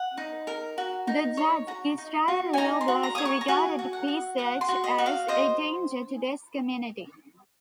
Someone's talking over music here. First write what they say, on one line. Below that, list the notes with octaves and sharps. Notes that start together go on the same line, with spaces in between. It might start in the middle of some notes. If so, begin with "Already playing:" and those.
The judge Israel Leo Glasser regarded Pesach as "a danger to this community".
Already playing: F#5
D#4
A#4
F#4
D#4
C#5
F#4 A#5
D#4
F#4
G#5
D#4 A#5
C6
F#4
A#5
C#5 D#6
C#6
A#5
F#4 G#5
F#4
F#5
F#4
F#4 F#5
C6
F#4
D#5
F#4
F5
C5 D#5